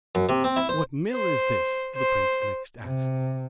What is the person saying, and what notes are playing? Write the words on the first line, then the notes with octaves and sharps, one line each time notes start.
"What mill is this?" the prince next asked.
F#2
C3
C4
E4
C5
C5
C5
C3